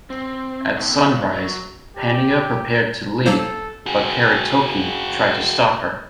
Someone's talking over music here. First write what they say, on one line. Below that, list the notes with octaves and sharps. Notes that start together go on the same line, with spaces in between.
At sunrise, Pania prepared to leave but Karitoki tried to stop her.
C4
B2 B3 C#4 D#4 A4 G5
F#3
G4
F#3 A#3 A4 C5
F#4 G#4